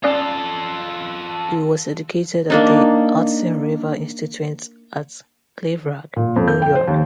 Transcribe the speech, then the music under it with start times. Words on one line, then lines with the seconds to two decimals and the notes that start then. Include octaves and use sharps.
He was educated at the Hudson River Institute at Claverack, New York.
0.04 C#4 F4 A4 D5 D#6
2.50 A#3 D4 D#4
6.16 A#2
6.36 F2
6.48 G6
6.62 G5
6.75 C5
6.88 D#2